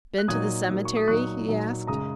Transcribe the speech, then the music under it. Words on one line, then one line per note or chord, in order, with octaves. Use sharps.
"Been to the cemetery?" he asked.
F#6
A#2 F#3 D#4 D#6 G#6
A#2 F#3 D#4
C#6
D#6
A#2 F#3 D#4 C#6 F#6
A#2 F#3 D#4
F#2 C#3 G#3 A#5 D#6